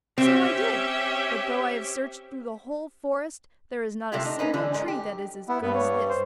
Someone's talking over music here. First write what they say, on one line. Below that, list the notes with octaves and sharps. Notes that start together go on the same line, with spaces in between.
'So I did; but though I have searched through the whole forest, there is not a single tree that is as good as this.
C4 C#4 G4 E5
A2 C3 A3 C4 F4 G4
D4 D#4
A#3 C#4 D#4 B4
D3 E3 G3 D4
G#2 D#4
G4
B3 E4
G2 B3
C#5
C5